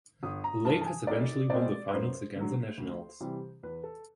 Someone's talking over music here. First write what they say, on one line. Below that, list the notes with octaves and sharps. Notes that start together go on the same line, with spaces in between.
The Lakers eventually won the Finals against the Nationals.
G1 D#6
A#5
G2 E3 A5
A5
G#5
B1 D5
B2 G#3 C4 D5
B4
F#2 C5
D3 F#3
D2
C3 E3 G3
E2 B4
A4